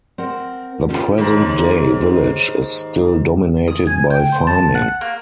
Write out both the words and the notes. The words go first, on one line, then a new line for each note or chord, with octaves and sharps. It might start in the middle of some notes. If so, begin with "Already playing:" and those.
The present day village is still dominated by farming.
C4 A#4 F#5
C#4 E4 F4 A4 G5
D#2 G#2
D#6
G#5
G5
C5
A5
F#5
A#3